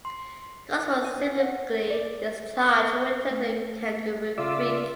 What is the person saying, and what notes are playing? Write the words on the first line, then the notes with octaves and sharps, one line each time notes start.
Coutts was subsequently discharged and returned to Kangaroo Creek.
C6
G#5
F#5
D5
C#6
A3
C#3 F4 D5 E5